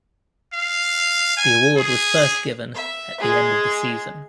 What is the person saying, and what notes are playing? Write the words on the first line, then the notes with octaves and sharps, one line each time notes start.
The award was first given at the end of the season.
F5
G#5
G#4
E5
G#3 G#4